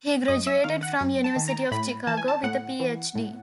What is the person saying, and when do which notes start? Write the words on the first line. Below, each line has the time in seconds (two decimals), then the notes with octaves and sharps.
He graduated from University of Chicago, with a PhD.
0.28 F#2 D#5
0.47 E5
0.64 D#3 F5
0.83 F#5
1.01 F#2
1.24 A5
1.36 D#3
1.48 A#5
1.71 A2 B5
2.07 E3 A5
2.17 G#5
2.28 A5
2.43 A2 F#5
2.80 E3
3.15 A2